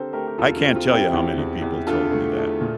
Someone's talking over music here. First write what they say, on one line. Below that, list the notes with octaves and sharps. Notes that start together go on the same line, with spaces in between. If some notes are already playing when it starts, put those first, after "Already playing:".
I can't tell you how many people told me that.
Already playing: D3 C4 G4 A4 A#4 C5
A3 G4 A#4
G4
E2 F4 A4
F4
C4
F4
C4
E4 G4
E2
E2
E2
D3 F4 A4
A3
A3
A#2